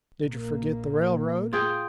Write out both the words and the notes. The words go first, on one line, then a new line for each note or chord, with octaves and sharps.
Did you forget the railroad?
A#1 A#2 A#3
F4 G#4 G5